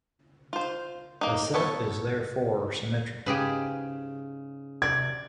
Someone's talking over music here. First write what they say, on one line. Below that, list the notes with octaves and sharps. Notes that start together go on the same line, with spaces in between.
The set is therefore symmetrical.
F4 C5
A#3 D#4
B3 A4 C#5
G#2 C#3 G4 G#4 B4
C3 D5 G#6